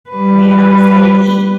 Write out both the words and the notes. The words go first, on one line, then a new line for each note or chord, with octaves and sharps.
man, I'm excited to eat.
G3 B4